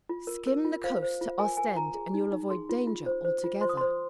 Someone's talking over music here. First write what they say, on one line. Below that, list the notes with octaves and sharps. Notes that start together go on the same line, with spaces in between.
"Skim the coast to Ostend, and you'll avoid danger altogether."
F4
A#4
A#4
F4
C5 F5
C5
F4
A#4 G#5
A#4 G#5
F4 A#5
G#4
D#4
D#4
G#4 C6
F4
F4
C5
C5
F4
C5 C6
D#6
C5 C6